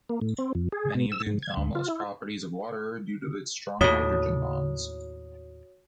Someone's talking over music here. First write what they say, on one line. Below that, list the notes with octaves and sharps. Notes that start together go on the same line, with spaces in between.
Many of the anomalous properties of water are due to its very strong hydrogen bonds.
A#3
A2
C4
F2
G#4
B2
E6
G#2
G#6
D2
F4
E4
D#2 A2 F#4 C#5 D#6